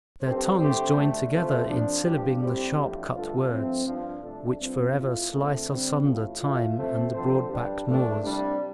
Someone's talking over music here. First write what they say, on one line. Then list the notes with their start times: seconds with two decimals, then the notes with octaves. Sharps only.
Their tongues join together in syllabling the sharp-cut words, which for ever slice asunder time and the broad-backed moors.
0.22 G2 G3 C4 A4 C5
0.58 D3 A3 C4 G4 C5
0.95 D2 D3 A3
1.31 C3 A3 F4 A4 C5
1.67 F2 F3 D4
2.04 G2 F3 D4 G4
2.40 A2 G3 C4 G4 C5
2.77 A1 A2 F3 D4 F4
3.13 G2 D3 A3 F4 A4
3.50 G2 F3 A3 C4
3.86 G2 F3 D4 F4
4.22 C3 F3 A3 D4 A4
4.59 G2 G3 C4 F4
4.95 A2 A3 F4
5.31 D2 D3 A3 C4 A4
5.68 D3 G3 C4
6.04 A1 A2 A3 F4
6.40 A2 A3 F4
6.77 C3 A3 C4 A4 C5
7.13 D3 F3 C4 A4 C5
7.49 G2 G3 D4 G4
7.86 G2 F3 A3 D4
8.22 C2 C3 G3 D4